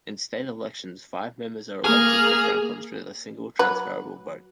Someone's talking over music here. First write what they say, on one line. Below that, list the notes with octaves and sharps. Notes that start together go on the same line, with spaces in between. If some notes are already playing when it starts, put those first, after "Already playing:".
In state elections, five members are elected to Franklin through the single transferable vote.
A#3 G#4 F6
F#3 B4